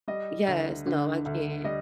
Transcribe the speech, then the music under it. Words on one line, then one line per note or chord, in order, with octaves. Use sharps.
Yes, no, I can't.
G3 D#5
D2
D3
D2
G3 D#5